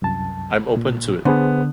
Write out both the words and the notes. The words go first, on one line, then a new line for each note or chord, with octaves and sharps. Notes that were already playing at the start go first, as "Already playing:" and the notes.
I'm open to it.
C2 F#2 A5
A#2
D3 B3 G#4 B4 C5